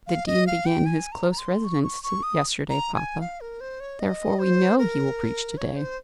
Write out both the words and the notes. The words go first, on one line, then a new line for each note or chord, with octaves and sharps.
"The dean began his close residence yesterday, papa. Therefore we know he will preach to-day."
F5
D#5
F5
G5
G#5
A#5
A#5
C6
C#6
C#6
C#6
D#6
A#5
G#5
F5
A#4
C5
C#5
D#5
C5
A#4
C#5
C5